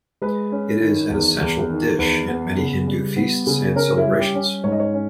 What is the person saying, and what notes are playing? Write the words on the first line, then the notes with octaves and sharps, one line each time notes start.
It is an essential dish in many Hindu feasts and celebrations.
G#3 B4
C#4
D#3
E2
E2
D#3
E2 B4
B3
C#3
G3
B3
C#3
C#4 A#4
E4
G3
G4
C#4
G#2 C#5
D#5
C#5
C#4